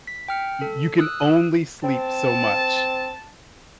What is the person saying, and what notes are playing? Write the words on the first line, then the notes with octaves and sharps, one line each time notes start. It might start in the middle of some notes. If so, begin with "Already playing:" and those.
Y you can only sleep so much,
B6
G5 F6 C#7
A4
D#6 E6 F#6
C4 A5